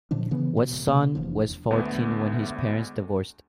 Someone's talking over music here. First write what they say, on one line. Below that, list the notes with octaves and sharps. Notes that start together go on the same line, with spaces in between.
Watson was fourteen when his parents divorced.
A#2 D3 F3 D4
C#3 E3 B3
B2
C3 A#3
F1 E2 F3 D4
D2 G#3 A3 B3 D4